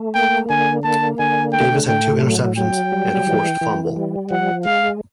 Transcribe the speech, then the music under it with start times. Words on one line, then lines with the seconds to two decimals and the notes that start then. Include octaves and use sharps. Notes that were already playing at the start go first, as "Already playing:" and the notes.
Davis had two interceptions and a forced fumble.
Already playing: A3
0.14 A#3 G5
0.50 D3 G#5
0.84 A#3 A5
1.19 D3 G#5
1.53 A3 G5
1.88 A2 G5
2.23 F#3
2.58 F#3 G5
2.92 G3
3.27 E3
3.61 E3
3.96 G3
4.31 F3 F#5
4.65 G#3 F5